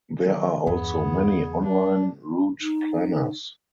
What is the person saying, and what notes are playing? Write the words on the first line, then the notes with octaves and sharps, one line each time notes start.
There are also many online route planners.
D#3 F#3
E2 G2 B3 G#4
F#3 D4
D#4